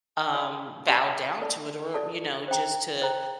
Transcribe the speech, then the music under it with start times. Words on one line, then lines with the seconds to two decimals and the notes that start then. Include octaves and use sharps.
um, bow down to it or, you know, just to
0.34 G4 D5 G5 C6
0.87 G4 D5 G5 C6
1.42 A4 D5 A5
1.94 A4 D5 A5
2.48 C5 G5 A#5
3.02 C5 G5 A#5